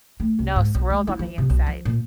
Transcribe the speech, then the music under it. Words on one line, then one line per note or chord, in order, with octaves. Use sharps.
No, swirled on the inside
A3
C2
G#2
B1
G#3
E4
F3
C3
B1
F3
A#2